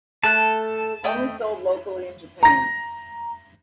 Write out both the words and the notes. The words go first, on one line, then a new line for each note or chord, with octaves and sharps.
Only Sold locally in Japan.
A3 A4 A5 F#6
A3 D#5 G5
A#5 A#6